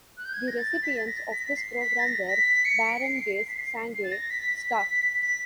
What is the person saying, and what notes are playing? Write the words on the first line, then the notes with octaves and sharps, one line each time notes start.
The recipients of this program were Barangays Sangay, Sta.
F#6
G6
G#6
A#6
A6
B6
A6
A#6
B6
C7
B6
A6
A#6
B6
C#7
D7
C#7
C7
C7
B6
C7
C7
A6
A#6
B6
B6